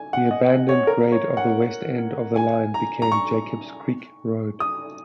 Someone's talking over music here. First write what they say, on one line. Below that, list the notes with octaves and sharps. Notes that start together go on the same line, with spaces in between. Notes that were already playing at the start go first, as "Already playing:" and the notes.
The abandoned grade of the west end of the line became Jacobs Creek Road.
Already playing: G#5
F#5
D#5
C#5
A#4
C#5
F#5
G#5
A#5
A#5
C#6
D#6